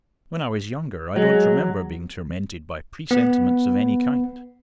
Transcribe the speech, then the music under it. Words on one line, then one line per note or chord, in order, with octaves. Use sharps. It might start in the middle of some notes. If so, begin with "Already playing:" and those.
When I was younger, I don't remember being tormented by presentiments of any kind.
F#3 G#3
B3